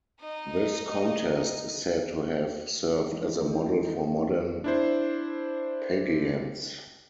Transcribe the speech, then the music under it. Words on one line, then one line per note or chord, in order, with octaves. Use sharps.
This contest is said to have served as a model for modern pageants.
D#4 D#5
E3 G#3 D#4
D4 E4 C5